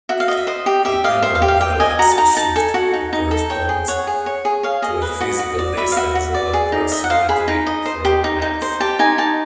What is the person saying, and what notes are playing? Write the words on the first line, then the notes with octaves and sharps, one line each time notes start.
The annual parallax shift of corresponds to a physical distance of approximately from Earth.
F#4 E5
F5
D#5 E5
C5 D#5
G4
G4 E5
D#5 F5
C5 E5
F5
G4
F5
G4 G5
D#5 G#5
F#4 A#5
A5
D#4 A#5
D#4 A5
A4 G#5
F#4
D#4
D#4
A4
C#5 G5
G#4
C#5 F#5
G#4
C#5
G#4
C#5 F5
G#4 D#5
B4
F#4 D#5
F#4
D5
B4 E5
F5
F#4 E5
F#4
D5
G#4
D#4
D#5 E5
F#5
C5 F5
G#4 B5
D#4
D#5
C5
G4
D#4
D#4
C5
G4 A5
D#4 G#5
D#4 A5